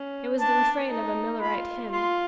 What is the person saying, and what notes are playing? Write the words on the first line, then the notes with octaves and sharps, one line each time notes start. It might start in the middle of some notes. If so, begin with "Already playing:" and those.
It was the refrain of a Millerite hymn.
Already playing: C#4
D4 A5
D#4
F4 B5
F4 C6